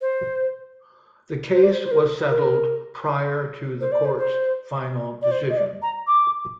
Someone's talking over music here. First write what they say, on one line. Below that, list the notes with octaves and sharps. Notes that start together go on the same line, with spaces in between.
The case was settled prior to the court's final decision.
C5
C5
D5
C5
C5
A#4
A#4
C5
D5
C5
C5
D5
C5
D#5
D5
A#5
D6